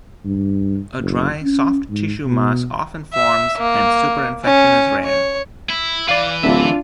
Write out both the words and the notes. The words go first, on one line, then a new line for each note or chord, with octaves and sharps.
A dry soft tissue mass often forms and superinfection is rare.
G2
F#1
C#4
G#2
B2
E5
A#3
C#4
C#5
E4
E3 B4 D5 F5
D1 D4 F4 E5